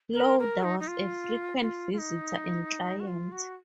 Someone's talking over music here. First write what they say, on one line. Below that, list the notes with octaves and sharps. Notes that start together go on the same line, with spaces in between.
Lauder was a frequent visitor and client.
A#4
A#4
D#4
D#4
F4
F4
F4
D#4
F#4
F4
F#4